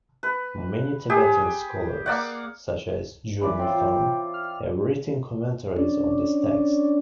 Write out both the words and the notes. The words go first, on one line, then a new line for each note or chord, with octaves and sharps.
Many Tibetan scholars, such as Ju Mipham, have written commentaries on this text.
B4
G4 G#4
A#3 D5 F#5
C#3 E3 D5 B5
C4 F4 G5
F6
C#4 D4